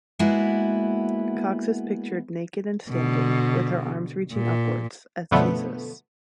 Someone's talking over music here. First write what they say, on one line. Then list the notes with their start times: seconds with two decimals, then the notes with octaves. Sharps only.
Cox is pictured naked and standing, with her arms reaching upwards, as Jesus.
0.19 G#3 A#3 B3 E4 F#4
2.90 B2 D3
4.33 A#2
5.31 F#2 B2 D3 F3 A3 B3